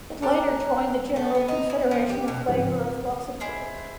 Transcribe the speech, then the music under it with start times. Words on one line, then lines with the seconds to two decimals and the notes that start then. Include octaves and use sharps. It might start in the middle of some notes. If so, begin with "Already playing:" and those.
It later joined the General Confederation of Labour of Luxembourg.
0.22 A4 D5 G5 A#5 F#6
1.16 A3
1.35 B3
1.48 D#4
1.70 E4
1.91 F3
2.09 G4
2.28 B2
2.48 G#2 C#3 F3 F#3 C4 F4
3.40 E4 G#4 C5 D#5